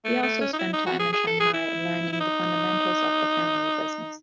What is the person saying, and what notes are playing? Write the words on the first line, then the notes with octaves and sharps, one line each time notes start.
He also spent time in Shanghai learning the fundamentals of the family business.
A3
A3
C#4
D#4
E4
D#4
F#4
G#4
G#4
A4
G#4
E4
E4
D#4